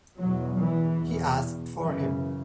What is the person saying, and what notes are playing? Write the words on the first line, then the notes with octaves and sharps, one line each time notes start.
He asked for him.
E2 B2 F#3
E3
E2 B2
F#2 C#3 E3